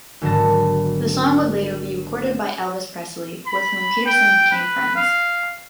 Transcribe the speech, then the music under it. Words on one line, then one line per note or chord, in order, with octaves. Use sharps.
The song would later be recorded by Elvis Presley, with whom Peterson became friends.
G#1 D3 F#3 B3 A5 A#6
B5
G5
B4
F5